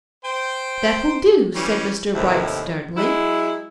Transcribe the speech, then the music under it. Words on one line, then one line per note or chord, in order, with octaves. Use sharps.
"That will do," said Mr. Bright sternly.
C5 G5
E3 G3 C#4
D#2 A2 C3 D#3 E4
F#3 G#3 E4